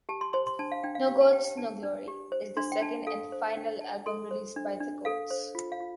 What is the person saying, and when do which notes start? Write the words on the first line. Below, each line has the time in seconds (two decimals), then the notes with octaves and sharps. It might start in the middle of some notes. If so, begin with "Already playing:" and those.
"No Goats, No Glory" is the second and final album released by The Goats.
0.09 G4 A5
0.21 C6
0.33 C5 C6
0.47 C6
0.59 D4 A5
0.72 F5
0.83 D4 G5
0.95 F5
1.08 G4 F5
1.21 A5
1.33 C5 G5
1.45 G5
1.57 D4 A5
1.83 D4
2.08 G4
2.32 C5
2.57 D4 C6
2.72 G5
2.82 D4 A5
3.07 A4 F5
3.32 C5
3.57 D4 G5
3.81 D4 A5
4.06 A4 C6
4.31 C5
4.56 D4
4.80 D4
5.05 A4 F5
5.31 C5
5.55 F4
5.72 F5
5.81 F4